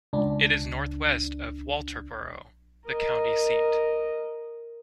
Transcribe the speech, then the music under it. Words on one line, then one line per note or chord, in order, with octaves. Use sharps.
It is northwest of Walterboro, the county seat.
C#2 D4
A#4 D#5